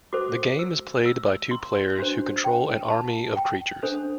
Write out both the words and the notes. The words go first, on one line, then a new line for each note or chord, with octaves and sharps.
The game is played by two players who control an army of creatures.
F#4 A4 C5 D6
E6
E6
C6
D4 F#4 C5
G5
A5
G5
D4 A4 C5